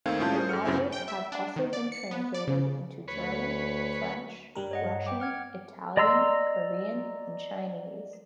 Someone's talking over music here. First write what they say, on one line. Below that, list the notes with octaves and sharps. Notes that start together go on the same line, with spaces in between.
The novels have also been translated into German, French, Russian, Italian, Korean and Chinese.
D#2 D#3 A3 C4 F5 G#6
A2 C#4 F4 A5 G6
G#4 A#4 C5
F#2 A4 F6 C#7
F#2 A#2 C#3 C4 E4 G#5
G5
E5
D4
D#3
D5
C#7
B3
D5
C#3
D2 B4 C#5
G2 G3 A#4
C#5 D#5 F#5
G5 D6
F#5 F6 G#6
D5 D#5 A#5 C6 E6